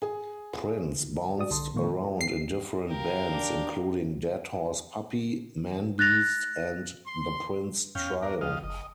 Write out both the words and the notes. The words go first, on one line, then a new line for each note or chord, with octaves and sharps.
Prince bounced around in different bands including Deadhorse Puppy, Manbeast, and The Prince Trio.
G#4
F#4 D5 D#6
B1 D3 A5 C6
A#2 D#3 G#3 A#3 C#6
C7
G4 A#4 F5
D4
F#6 A6 A#6 F7
C6
E2 C#4 F5 G5
D4 A#4
F3 D#5 F5
F#1 D#5